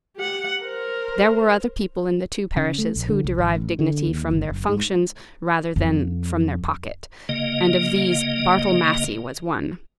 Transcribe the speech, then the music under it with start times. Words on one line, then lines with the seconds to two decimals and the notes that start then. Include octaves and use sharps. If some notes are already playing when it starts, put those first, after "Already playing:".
There were other people in the two parishes who derived dignity from their functions rather than from their pocket, and of these Bartle Massey was one.
0.17 G4 F#5
0.63 A#4 C5
2.57 C#3
2.78 A3
2.96 A#1
3.09 D3
3.24 C2
3.38 G#1
3.55 A1
3.79 D3
4.07 D#2
4.31 G1
4.50 F#1
4.69 G#2
5.76 F2
7.29 C#3 A#3 D#5